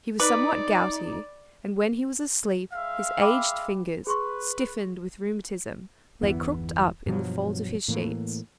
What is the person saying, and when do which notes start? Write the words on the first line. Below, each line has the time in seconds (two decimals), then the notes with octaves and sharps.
He was somewhat gouty, and when he was asleep, his aged fingers, stiffened with rheumatism, lay crooked up in the folds of his sheets.
0.20 D#4 B4 D5 D6
2.73 G#3 E5 F5
3.22 G5 B5 D6
4.07 G#4 B4 C6 C#6
6.22 G1 E2 E3 B3
7.06 G2 B2 F3 F#3
7.88 A2 E3 A#3